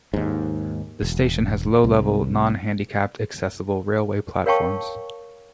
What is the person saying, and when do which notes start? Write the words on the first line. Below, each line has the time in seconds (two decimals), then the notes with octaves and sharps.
The station has low-level, non-handicapped accessible, railway platforms.
0.14 D#2 G#2
1.02 E1
1.84 C2
4.46 A#4 C#5 F5 G5 A5 C#6